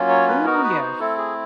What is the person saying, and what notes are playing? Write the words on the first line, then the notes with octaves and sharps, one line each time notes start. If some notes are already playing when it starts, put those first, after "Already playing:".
Ooh, yes.
Already playing: F#3 A#3 C#4 F4
C#5
B4
B3 D#4 F#4 A#4
B4
C5
A3 C4 E4 A4
G#4